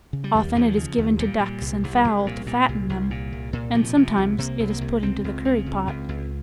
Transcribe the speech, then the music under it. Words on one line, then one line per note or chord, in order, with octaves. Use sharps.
Often it is given to ducks and fowl to fatten them, and sometimes it is put into the curry pot.
C#3
G3
D#2
D#2 F3
C#3
D#2
A#2 G3
A#2
C2
C2
C2
A#2
A#2
C2
C2
A#2
C2
A#2
C3 F3
C3
C2
C3 A#3
C2
A#3
C2
C#2 C4
C#2
C#3
C#2
C#2
C#2